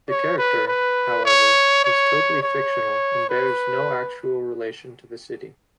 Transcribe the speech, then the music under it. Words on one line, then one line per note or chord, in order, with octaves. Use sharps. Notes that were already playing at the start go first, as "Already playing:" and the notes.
The character, however, is totally fictional and bears no actual relation to the city.
C#5
B4
B4
C#5
C#5
C#5
B4